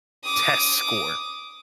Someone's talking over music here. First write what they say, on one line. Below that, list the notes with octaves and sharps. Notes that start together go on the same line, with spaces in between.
test score,
D6 D#6